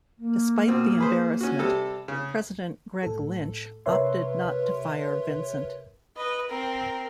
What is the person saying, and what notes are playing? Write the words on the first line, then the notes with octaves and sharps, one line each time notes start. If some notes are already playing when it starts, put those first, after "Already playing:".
Despite the embarrassment, President Greg Lynch opted not to fire Vincent.
A#3
B2 C4
G#4 B4 C5
C#4 F#4
C3 G3 A4
C#3
A2 A4
C3 A#4 B4 C#5 E5 C6
B4 D#5
C4 A#4